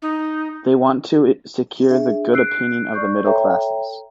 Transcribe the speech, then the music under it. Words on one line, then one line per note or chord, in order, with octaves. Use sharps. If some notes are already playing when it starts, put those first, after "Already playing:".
They want to secure the good opinion of the middle classes.
D#4
D4 G#4 E5
E6 F#6 C7 D7
D5 C#6 G6
A4 C#5 E5 G5 A#5